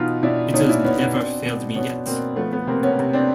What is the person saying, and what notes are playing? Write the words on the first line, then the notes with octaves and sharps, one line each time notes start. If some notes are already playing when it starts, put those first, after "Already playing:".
It has never failed me yet.
Already playing: B2 E3 D#4 F4
B2 D4 E4
B2 C#4 D#4
D4 E4
B2 B3 C#4
B3 C#4
B2 C4 D4
B2
B2 B3 C#4
B2 A#3 C4
F3 A3 B3
A3 B3
C3 A#3 C4
B3 C#4
C3
C4 D4